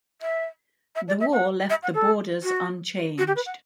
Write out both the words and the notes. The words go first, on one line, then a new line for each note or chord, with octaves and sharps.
The war left the borders unchanged.
E5
E5
D5
E5
F#5
E5
F#5
A4
F#4
F#4
G4
B4
F#5